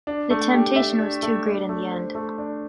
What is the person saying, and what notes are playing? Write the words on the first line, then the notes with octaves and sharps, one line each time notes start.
The temptation was too great in the end.
D4
A3
G4
E5
D4
A3
D4
A3
C5
A3
D4